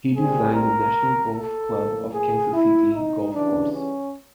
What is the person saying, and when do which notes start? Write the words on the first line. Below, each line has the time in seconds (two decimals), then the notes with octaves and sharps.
He designed the National Golf Club of Kansas City golf course.
0.14 A#2 G3 C4 G#4
0.54 A#4
1.34 A4
1.74 A2 F3 A#3
2.14 G#4
2.54 E4
2.94 D#4
3.34 C#3 E3 G3 D4
3.74 C#4